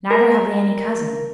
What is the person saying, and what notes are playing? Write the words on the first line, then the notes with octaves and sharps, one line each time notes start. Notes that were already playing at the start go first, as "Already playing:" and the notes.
Neither have they any cousin.
A#4